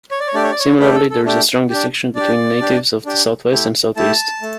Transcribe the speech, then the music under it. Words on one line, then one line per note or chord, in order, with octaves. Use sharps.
Similarly, there is a strong distinction between natives of the south-west and south-east.
C#5
D5
C#5
A3 D4 G4 D5
C#5
D5
C#5
A3 D4 G4 B4
A4
A4
A3 D4 G4
D4 G4
D4 G4 D5
D4 G4
D4 G4
A3 E4 G4
A3 E4 G4 A5
A3